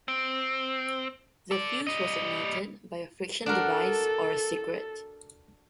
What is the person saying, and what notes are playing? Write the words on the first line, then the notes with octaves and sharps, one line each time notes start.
The fuse was ignited by a friction device or a cigarette.
C4
A4 D5
G3 D#5
D4 F#4 A4 A#4